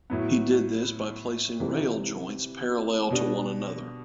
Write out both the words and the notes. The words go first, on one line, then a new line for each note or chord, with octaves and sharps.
He did this by placing rail joints parallel to one another.
A2 F#3 B3
C3 E3 G3
B2 G3 D4